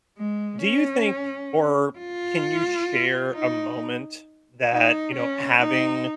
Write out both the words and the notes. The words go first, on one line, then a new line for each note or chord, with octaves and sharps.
do you think or can you share a moment that, you know, having
G#3
C#4
F4
D#4
D#4
C#4
D#4